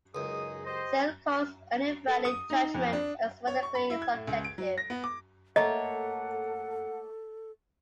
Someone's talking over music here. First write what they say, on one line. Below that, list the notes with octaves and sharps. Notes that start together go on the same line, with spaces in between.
Searle calls any value judgment epistemically subjective.
C#2 F#2 D#4 G#4 D#5 D#6
G4 C5 D#5
A4
D#6
D#4
F2
D4
C#5
C#6
B5
E4
G#6
A2
C#2
D7
F#3
A#6
B3
D6
A3 A#3 A4 C#5 D#5 F#5